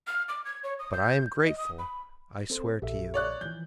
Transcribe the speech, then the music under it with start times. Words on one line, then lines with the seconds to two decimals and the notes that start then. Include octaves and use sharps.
"But I am grateful, I swear to you."
0.07 F6
0.29 D6
0.45 G#6
0.63 C#5
0.79 D#6
0.93 G6
1.44 D#5
1.58 D#6
1.79 B5
2.50 C4 A4 C5
2.82 A#1 G4 A4 E5
3.14 C#5 D5 F#6
3.41 E3 F3 G6